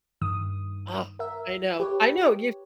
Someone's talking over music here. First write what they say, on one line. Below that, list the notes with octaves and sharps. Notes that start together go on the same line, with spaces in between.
Oh, I know. I know you
G2 D#3 D#6
A#4 E5
G4 B4 C#5